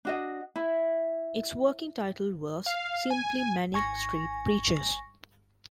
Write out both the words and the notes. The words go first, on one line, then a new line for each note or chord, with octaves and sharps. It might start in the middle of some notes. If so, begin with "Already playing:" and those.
Its working title was simply "Manic Street Preachers".
D4 F#4 D#5
E4
F5
G#5
G#1 G#5 C#6 A#6